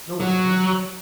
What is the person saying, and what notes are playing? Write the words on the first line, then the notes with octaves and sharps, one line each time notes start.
No one there!
F#3